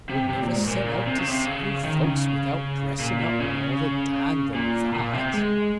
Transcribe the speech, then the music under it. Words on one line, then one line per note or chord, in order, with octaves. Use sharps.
"You will never set out to see your folks without dressing up more the dand than that?"
C3
C3
A#2
G#2
A#2
C3
C#3
C3
C#3
D#3
C#3
A#2
A#2
C#3
A#2
A#2
C3
G#3